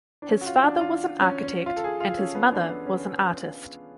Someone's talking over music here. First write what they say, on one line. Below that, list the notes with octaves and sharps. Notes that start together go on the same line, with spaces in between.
His father was an architect and his mother was an artist.
D4
C#4
F#4
F4
D4
F4
C#4
C#4
F4
A4
G#4
F4
C#4
B3
D4
B3
C#4